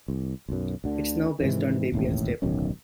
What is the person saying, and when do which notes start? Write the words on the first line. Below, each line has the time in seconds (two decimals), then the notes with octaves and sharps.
It's now based on Debian Stable.
0.08 C2
0.49 B1 F#2
0.84 D2 D3
1.40 G#2 C3 D#3 E3
1.92 E1 A1 D#2 A2
2.42 D1 B1 D#3 C#4